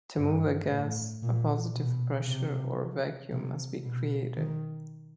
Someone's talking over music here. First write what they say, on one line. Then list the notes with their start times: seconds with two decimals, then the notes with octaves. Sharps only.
To move a gas, a positive pressure or a vacuum must be created.
0.17 G2
0.70 A2
1.23 A#2
1.75 B2
2.28 C3
3.32 C3
3.84 B2
4.37 D#3